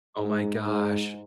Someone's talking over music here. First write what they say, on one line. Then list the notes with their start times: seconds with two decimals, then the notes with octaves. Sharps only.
Oh my gosh,
0.18 G#2
0.65 G#2